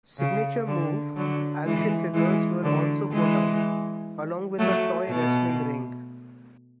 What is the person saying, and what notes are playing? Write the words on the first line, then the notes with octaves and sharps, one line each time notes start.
"Signature Move" action figures were also put out, along with a toy wrestling ring.
C#3
D3
D3 F#3
E3 G#3
E3 G#3
D3 F#3
E3 G#3
F#3 A3
B2